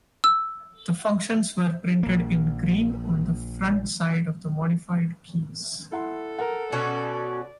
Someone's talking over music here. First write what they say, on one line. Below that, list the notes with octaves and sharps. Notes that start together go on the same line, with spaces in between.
The functions were printed in green on the front side of the modified keys.
E6
A#1 A#3
E4 A4 F#5 C6
A#4 F#5
B2 C#4 F#4 D5